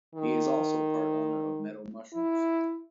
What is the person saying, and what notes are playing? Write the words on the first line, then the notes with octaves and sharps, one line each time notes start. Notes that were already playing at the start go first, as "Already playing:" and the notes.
He is also part owner of Meadow Mushrooms.
D#3
E4